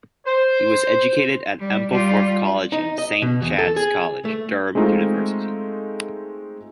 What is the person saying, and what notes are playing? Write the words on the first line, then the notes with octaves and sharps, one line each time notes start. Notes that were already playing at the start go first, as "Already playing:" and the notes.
He was educated at Ampleforth College and Saint Chad's College, Durham University.
C5
G3
G3 F4
D#4
D#5
B2
E2
A4
G#4
A3
G#3 A3 C4 D#4 F4 A4